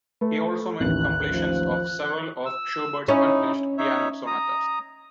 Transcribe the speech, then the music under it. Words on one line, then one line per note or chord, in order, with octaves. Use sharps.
He also made completions of several of Schubert's unfinished piano sonatas.
A3 B4
A1 D#2 E3 F#6
F3
E6
C#4 D#4 E4
D#4 C#5 E5
A#5 D#6